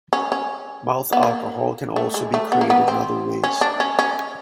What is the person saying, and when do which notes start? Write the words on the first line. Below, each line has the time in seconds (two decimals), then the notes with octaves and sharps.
Mouth alcohol can also be created in other ways.
0.13 C#4
0.32 C#4
1.13 B3
1.23 A#3
1.96 A3
2.14 G#3
2.34 A3
2.52 B3
2.61 A#3
2.70 B3
2.88 C4
3.44 C#4
3.61 D4
3.80 C#4
3.99 C#4